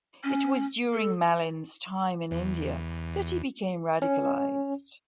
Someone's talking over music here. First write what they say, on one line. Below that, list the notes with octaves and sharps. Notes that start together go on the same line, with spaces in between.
It was during Mallin's time in India that he became radicalised.
C#4
A4
E2
C#4